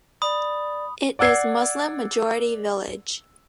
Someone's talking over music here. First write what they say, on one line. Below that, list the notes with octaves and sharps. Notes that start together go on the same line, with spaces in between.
It is Muslim majority village.
D5 B5 D#6
D5 F#5 E6 G#6 C7